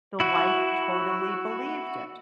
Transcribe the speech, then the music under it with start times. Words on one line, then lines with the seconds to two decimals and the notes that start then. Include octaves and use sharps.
The wife totally believed it.
0.20 E4 F#4